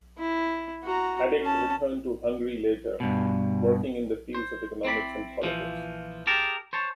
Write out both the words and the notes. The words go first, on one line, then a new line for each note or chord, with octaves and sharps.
Hadik returned to Hungary later, working in the fields of economy and politics.
E4
F#4 A#5
C#4 A5
G2 B2
C5
C4 E4 D5 B5
A#2 E3 F3
G4 G#4 A#4 A5
C5 C#5 A5